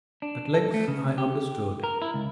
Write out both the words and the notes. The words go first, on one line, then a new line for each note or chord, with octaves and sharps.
At length I understood.
D4
A4
A3
C#3
G4
A#4
E4
C#2